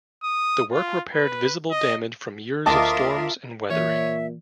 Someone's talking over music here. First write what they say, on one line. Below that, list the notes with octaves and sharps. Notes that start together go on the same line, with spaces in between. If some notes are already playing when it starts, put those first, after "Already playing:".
The work repaired visible damage from years of storms and weathering.
D#6
F4
B4
D#5
D2 F4 A#4 D#5 E5 A5 D6
A#2 E3 C#5 E5